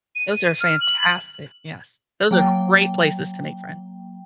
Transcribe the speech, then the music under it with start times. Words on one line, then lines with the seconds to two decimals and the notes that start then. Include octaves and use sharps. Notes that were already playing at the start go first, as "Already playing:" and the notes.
those are fantastic, yes. Those are great places to make friends.
0.16 D#7
0.61 F6
0.80 F#7
2.31 F#3 A#3 G5